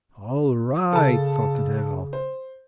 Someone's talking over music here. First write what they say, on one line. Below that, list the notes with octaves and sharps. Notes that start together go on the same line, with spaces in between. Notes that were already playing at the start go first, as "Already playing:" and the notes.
"All right," thought the Devil.
C#3 A4 A5
C5